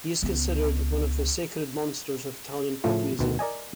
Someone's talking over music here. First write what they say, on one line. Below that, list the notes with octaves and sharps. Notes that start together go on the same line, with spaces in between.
He is considered one of the "sacred monsters" of Italian pop music.
C#2 B3
A2 C#3 F3 A3 F4
D2 B2 D#3
A#4 D5 D#5 G#5